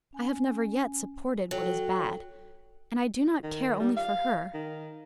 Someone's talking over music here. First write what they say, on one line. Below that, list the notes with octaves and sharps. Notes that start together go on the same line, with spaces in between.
I have never yet supported what is bad. And I do not care only for her.
C#4 G#5
F#3 A4 G5
D#3
G3
F5
D#3